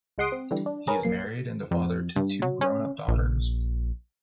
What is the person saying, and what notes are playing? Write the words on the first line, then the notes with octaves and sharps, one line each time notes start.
He is married and a father to two grown-up daughters.
C#2 G#3 F#5 C6 D#6 D7
C4
D3 E3 G3
D4
G#4 A#4 B4 C#5
A#1 F#2 A#3 C7
F2
G2
F#3
C#4
A#1